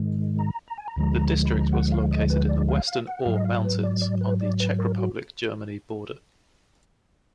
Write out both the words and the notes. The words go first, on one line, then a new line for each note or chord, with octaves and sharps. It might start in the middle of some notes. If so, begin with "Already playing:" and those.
The district was located in the western Ore Mountains on the Czech Republic-Germany border.
Already playing: G#2 D#3 G#3
A#5
A#5
G#5
A#5
D2 D3 F3 G#3
B5
A#5
F#5
F5
D#5
B4
D5
F5
F5
F#5
G#2 F#3 F5
D#5
F5
B4
D5
D5
B4
D5
B4
A#4
F#4